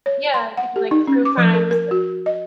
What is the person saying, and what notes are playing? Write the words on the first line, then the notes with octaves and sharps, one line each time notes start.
Yeah, it could be like True Crimes,
C#5
C6
F#5
G4
D#4
C#4
D6
F3
A#4
A#4
F#4
D#5